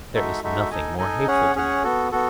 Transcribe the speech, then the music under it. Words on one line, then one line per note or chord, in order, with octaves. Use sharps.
There is nothing more hateful to them.
G#3 D#4 F#4 A4 E5
G#3 D#4 F#4 A4 E5
D#4 A4 D#5 G#5
D#4 A4 D#5 G#5
C#4 G#4 C#5 F#5
C#4 G#4 C#5 F#5
B3 F#4 A4
B3 F#4 A4